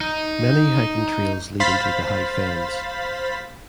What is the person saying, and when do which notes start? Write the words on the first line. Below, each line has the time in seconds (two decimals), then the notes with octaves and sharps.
Many hiking trails lead into the High Fens.
0.01 D#4
1.60 C5 F5 B5 A6 B6